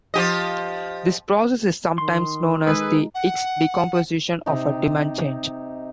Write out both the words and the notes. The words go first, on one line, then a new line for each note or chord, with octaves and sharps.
This process is sometimes known as the Hicks decomposition of a demand change.
F3 G4 D#5
D#3 C6
G#3 D#4 G#4 A4 B4
F#5
C3 D#4